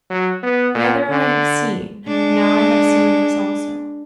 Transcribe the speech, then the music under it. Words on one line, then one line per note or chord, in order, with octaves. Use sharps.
The other I have seen, now I have seen this also.
F#3
B3
A#2
D3
G#3 D4